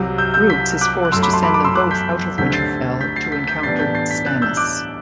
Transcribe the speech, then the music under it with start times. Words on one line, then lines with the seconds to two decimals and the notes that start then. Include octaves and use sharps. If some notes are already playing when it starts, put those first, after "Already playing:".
Roose is forced to send them both out of Winterfell to encounter Stannis.
Already playing: C2 C3 F#3
0.18 E6 G6
0.34 E6 G6
0.50 G6 B6
0.81 D6 F#6
1.05 F#6
1.12 F#2 F#3 A3 C6 E6
1.23 B5 D6
1.33 A5 C6
1.43 B5 D6
1.54 B5 D6
1.65 C6 E6
1.75 D6 F#6
1.91 G6 B6
2.38 D2 D3 G3 C4 G6 B6
2.53 A6 C7
3.01 G6 B6
3.16 A6 C7
3.32 G6 B6
3.48 G6 B6
3.63 A2 E3 G3 B3 D4 A6 C7
3.79 G6 B6
3.95 A6 C7
4.11 G6 B6
4.26 F#6 A6
4.42 E6 G6
4.57 D6 F#6